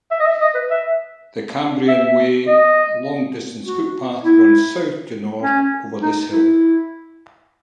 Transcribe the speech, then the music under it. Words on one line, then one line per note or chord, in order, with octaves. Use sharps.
The Cambrian Way long distance footpath runs south to north over this hill.
E5
D#5
E5
D#5
B4
E5
E5
D#5
F#4
E4
C#4
D#4
E4